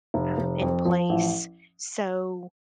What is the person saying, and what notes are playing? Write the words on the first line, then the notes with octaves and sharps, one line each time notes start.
um, in place. So,
F1
F1
F2
F3
A1